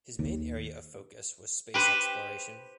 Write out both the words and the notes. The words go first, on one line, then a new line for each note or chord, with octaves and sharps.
His main area of focus was space exploration.
D#2
G4 B4 C5